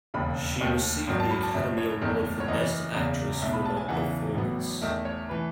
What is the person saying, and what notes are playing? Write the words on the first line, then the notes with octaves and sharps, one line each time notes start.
She received the Academy Award for Best Actress for her performance.
E1 D#2 C#3 B5
D#2 D#3 A3
G#1 F#2 D#3 F#3
A5
B5
A5
F#1 F#2 D#3 A3 E5
C#5
F#1 E2 D#3 A3
C#5
F#1 F#2 E3 D#5
F#1 E2 C#3
B1 B2 A3 E5
B5
A5
G#5
E2 C#3 E3 F#5
A1 A2 F#3 B3
E2 D#3 A3 E5
C#5
E3 A3 B4